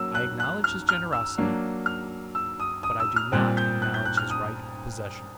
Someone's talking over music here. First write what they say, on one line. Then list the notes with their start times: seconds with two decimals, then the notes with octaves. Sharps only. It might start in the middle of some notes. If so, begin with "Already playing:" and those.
I acknowledge his generosity, but I do not acknowledge his right of possession.
Already playing: F#3 A#3 C#4 E6
0.15 F#6
0.40 F#6
0.64 F6
0.89 F6
1.13 E6
1.38 F#3 A#3 D4
1.86 F6
2.35 E6
2.60 D#6
2.83 D#6
3.00 E6
3.16 F6
3.32 A#2 G3 C4 F#6
3.57 G6
3.82 F#6
3.94 G6
4.05 F#6
4.17 F6
4.30 D#6